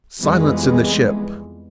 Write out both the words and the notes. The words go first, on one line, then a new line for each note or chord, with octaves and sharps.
"Silence in the ship!"
F2 E3 G3 G#3 B3